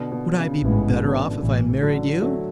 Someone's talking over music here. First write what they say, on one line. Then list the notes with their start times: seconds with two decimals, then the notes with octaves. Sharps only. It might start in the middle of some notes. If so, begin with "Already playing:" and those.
"Would I be better off if I married you?"
Already playing: B2 D3
0.12 B2
0.38 C#3
0.64 A1 G#2 C#3 E3 G#3 B3
1.04 B2 D3
1.43 A1 A2 E3
1.82 D3 F#3
2.22 F#3 A3